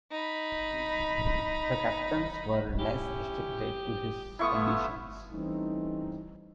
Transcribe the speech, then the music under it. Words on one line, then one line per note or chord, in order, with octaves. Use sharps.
The Captains were less restricted to these conditions.
D#4 B5
C#4 E4 G4
D#6
A3 B3 E4 F4 C#6 D#6
E3 G3 A3 C4 C#4 D#4